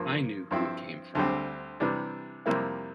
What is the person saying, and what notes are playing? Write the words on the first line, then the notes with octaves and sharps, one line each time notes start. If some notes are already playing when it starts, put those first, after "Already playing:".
I knew who it came from.
Already playing: G2 F3 A#3
G2 F3 C4 E4
D2 D3 G3 C4
C3 E3 G3 D4
F2 C3 G3 A#3 E4